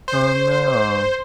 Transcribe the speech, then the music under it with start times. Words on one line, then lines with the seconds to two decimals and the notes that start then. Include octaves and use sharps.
Oh, no.
0.08 C5